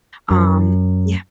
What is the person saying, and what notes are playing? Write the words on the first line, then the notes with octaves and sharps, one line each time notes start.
Um, yeah
F#2